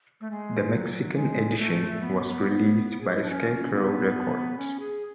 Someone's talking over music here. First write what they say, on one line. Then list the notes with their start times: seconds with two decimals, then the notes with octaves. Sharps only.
The Mexican edition was released by Scarecrow Records.
0.21 A3
0.31 G#3
0.74 F#3
1.16 G#3
1.59 A3
2.02 B3
3.01 G#4
3.09 F#4
3.15 E4
3.23 D4
3.30 C#4
3.73 B3
4.58 C#4
4.80 G#4